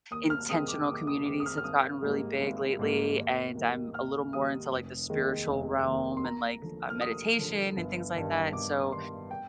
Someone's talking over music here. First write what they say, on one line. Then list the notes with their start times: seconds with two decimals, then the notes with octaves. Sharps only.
intentional communities have gotten really big lately, and I'm a little more into, like, the spiritual realm and, like, uh, meditation and things like that. So,
0.11 D#2 D#6
0.30 F6
0.49 D#3 G#3 C4 D#6
0.68 D6
0.83 D#6
0.88 D#2 D6
1.07 D#6
1.26 D#3 G#3 C4 D6
1.40 D#6
1.46 F6
1.58 F6
1.64 G#1 D#6
2.02 G#2 G3 A#3
2.41 G#1
2.79 G#2 G3 A#3
3.17 D#2
3.56 D#3 G3 A#3
3.94 D#2 F6
4.32 D#3 G3 A#3 D#6
4.71 F1
5.09 D#2 D#3 G#3
5.47 F1
5.86 D#2 D#3 G#3
6.17 C6
6.24 D#2 A#5
6.62 D3 F3
6.90 F6
7.01 D#2 D#6
7.39 D3 F3
7.77 G1
8.15 G2 D#3
8.53 G1 D6
8.92 G2 D#3 C6
9.31 G5